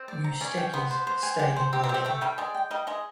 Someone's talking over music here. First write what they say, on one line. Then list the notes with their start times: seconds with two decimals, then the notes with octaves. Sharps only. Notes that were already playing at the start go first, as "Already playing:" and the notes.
Musteikis stayed in Berlin.
Already playing: C4
0.08 D5
0.24 A#5
0.41 C#4 D5
0.57 G5
0.73 B3 C5
0.91 C5
1.07 C5
1.23 G#5
1.39 G4
1.56 C5
1.73 C4 G4
1.83 C4
1.89 G4
1.94 C4
2.05 A3 G5
2.21 G3 G5
2.38 G#3 D5
2.54 G5
2.71 G3 D#5
2.87 G#3 D#5